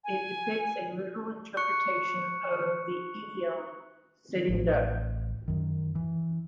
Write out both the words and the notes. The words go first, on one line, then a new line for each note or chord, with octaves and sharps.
It depicts a literal interpretation of the idiom "sitting duck".
G#5
C#6 F#6 C#7
A1
F#2 D#3
E3